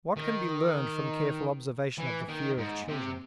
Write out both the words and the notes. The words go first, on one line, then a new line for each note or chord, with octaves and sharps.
What can be learned from careful observation of the fear of children?
D#3
E3
D#3
G#2
C3